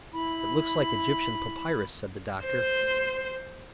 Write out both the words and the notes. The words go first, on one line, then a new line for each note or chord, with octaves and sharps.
"It looks like Egyptian papyrus," said the doctor.
E4 B5
C5